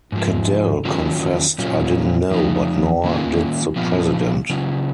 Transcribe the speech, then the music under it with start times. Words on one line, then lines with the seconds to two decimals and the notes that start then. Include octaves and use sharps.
Cadell confessed 'I didn't know but nor did the president.
0.12 G#2 F3 G#3
0.85 D#3 F#3 C#4 F4
1.58 A#2 F#3 C#4 F4
2.31 F2 F3 D#4
3.04 D#3 A#3 C#4 F4
3.76 A#2 F3 B3 F4
4.50 C#3 F#3 C#4 F4